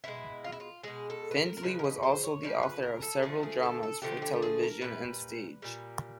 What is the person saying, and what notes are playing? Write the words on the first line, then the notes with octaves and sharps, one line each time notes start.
Findley was also the author of several dramas for television and stage.
B2 G#3 E4
F4
E4
F4
B2 G#3 G#4
A4
B4
A#4
A#4
C#3 F3 G#3 B4
A#4
B4
C5
C#5
C#3 F3 D5
B4
A#4
A4
D3 F3 A3 G#4
G#4
A4
A4
D3 F3 A3 G4
G4
G4
G#4
A#4
A#2 G3 B4
A#2 G3